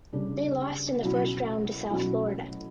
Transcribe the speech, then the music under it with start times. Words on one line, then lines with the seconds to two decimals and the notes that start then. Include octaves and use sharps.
They lost in the first round to South Florida.
0.13 C#3 G3 D4
1.01 B2 F#3 C#4 E4
1.90 B2 F#3 C#4 E4